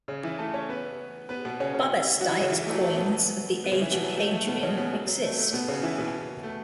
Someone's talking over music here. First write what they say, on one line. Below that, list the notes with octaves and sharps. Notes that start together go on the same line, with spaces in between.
Bubastite coins of the age of Hadrian exist.
C#3 C#4
E3 E4
A3 A4
C#4 C#5
B3 B4
B3 B4
B2 B3
C#3 C#4
C#3 C#4
F#3 F#4
E3 E4
C#3 C#4
E3 E4
A3
F#3
A3
B2 B3
B3
C#3 C#4
E3 E4
B2 B3
F#3
A3
A3
B2 B3
C#3 C#4
B2 B3
F#3
F#3
A3
A3
B2 B3
C#3 C#4
E3 E4
B2 B3
A3